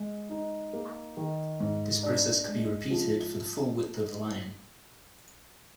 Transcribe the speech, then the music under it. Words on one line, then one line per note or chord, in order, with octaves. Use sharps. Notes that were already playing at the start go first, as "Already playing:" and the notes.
This process could be repeated for the full width of the line.
Already playing: G#3
D#4
A#3
D#3
G#2
D4
G#3
F3